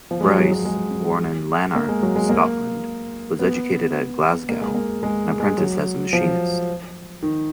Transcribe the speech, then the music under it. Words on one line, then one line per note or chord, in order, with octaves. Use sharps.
Bryce, born in Lanark, Scotland, was educated at Glasgow, and apprenticed as a machinist.
F3
G#3
F#3
F#3
F#3
G#3
A#3
G#3
F#3
G#3
A#3
B3
A#3
G#3
A#3
G#3
G#3
F#3
F3
D#3